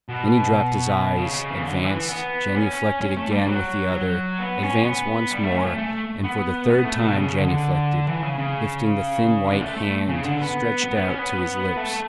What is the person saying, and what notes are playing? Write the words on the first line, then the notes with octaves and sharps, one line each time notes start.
Then he dropped his eyes, advanced, genuflected again with the other, advanced once more, and for the third time genuflected, lifting the thin white hand, stretched out, to his lips.
B2
C#3
E3
D3
E3
B3
C#4
C#4
A3
G3
F#3
F#3
B3
C#4
B3
G3
A3
C#4
A3
A3
B3
B3
A3
B2
C#3
D3
E3
C#3
C#3
D3
A3
A3
C#3
D3
B3
B3
B3
C#4
B3
A3